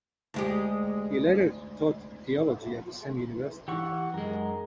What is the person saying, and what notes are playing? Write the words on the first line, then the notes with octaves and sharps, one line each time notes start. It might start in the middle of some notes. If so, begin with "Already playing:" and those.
He later taught theology at the same university.
D2 G#3 G4
E3 G4 F#5 C#6
F#2 G#3 A#4